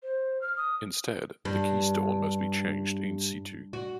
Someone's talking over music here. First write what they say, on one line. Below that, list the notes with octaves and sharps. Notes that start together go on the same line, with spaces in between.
Instead, the keystone must be changed in situ.
C5
F6
D#6
G2
F#4